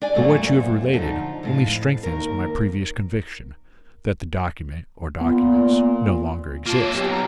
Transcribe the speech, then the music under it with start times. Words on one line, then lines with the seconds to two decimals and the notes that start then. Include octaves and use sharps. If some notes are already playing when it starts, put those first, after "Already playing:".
But what you have related only strengthens my previous conviction, that the document or documents no longer exist.
0.02 D4 D5 G#5
0.14 F#2 A#2 A3 C4 F#4
0.94 D3 F3 D#4
1.43 F2 A2 F5
2.03 D#2 A#4
5.21 A#2 B3
6.66 A#3 F4 A4
6.80 C#5
6.95 B1 G4
7.10 A#5